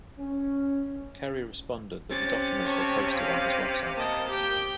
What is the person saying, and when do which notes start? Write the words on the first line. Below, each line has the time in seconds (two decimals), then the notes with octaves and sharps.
Kerry responded that the documents were posted on his website.
0.19 C#4
2.11 C3 C#4 A6
2.65 C#5 A5
3.13 F5
3.97 A#3 D#5 A5
4.30 G4 G5